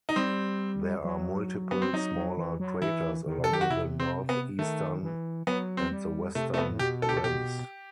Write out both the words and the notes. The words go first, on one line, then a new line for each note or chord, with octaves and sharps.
There are multiple smaller craters along the northeastern and the western rims.
D#4
G3 C4
F#3
B3
C4
F#3 D#4
F#3
E3
F#3
E3 E4
D#3
C3
A4
D#3 G4
F#4
C3 E4
C4
B3
D#3 A3
E3
F#3 B3
C4
G3
C3 A3
A3
B3
A2
B2 G4
A4
G4
A4
B2 G4